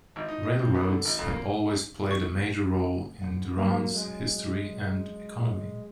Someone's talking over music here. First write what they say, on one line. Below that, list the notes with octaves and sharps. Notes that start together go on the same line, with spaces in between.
Railroads have always played a major role in Durand's history and economy.
G#1
D#4
D#5
C3
B3
D3
G#1
F2
A#3
C#6
F#2 F#5
F#3 A#3 C#4 F#4
G#3